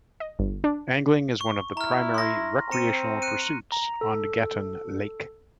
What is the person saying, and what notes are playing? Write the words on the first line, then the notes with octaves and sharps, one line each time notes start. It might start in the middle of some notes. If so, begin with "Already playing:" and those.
Angling is one of the primary recreational pursuits on Gatun Lake.
D#5
G1
D4
C#6
E4 A#5 F6
C6 A#6
C4 A#5 C#7 D#7
F#6 C#7 D#7
A#5
A4